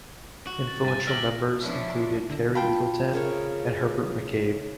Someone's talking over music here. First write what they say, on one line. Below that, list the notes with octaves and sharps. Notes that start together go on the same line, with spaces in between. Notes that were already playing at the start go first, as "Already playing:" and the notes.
Influential members included Terry Eagleton and Herbert McCabe.
F#4
A6
G2 G#5 A6
G4 D5 E5 F6 A#6 F#7
F3 C#4 D4 E4
D3
F4 G5 A5 B5
C#3 A#4 C#5